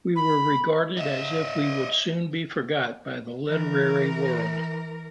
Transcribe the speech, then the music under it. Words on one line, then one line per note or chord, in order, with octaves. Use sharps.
We were regarded as if we would soon be forgot by the literary world.
B5
D#5 E5
E3 A#4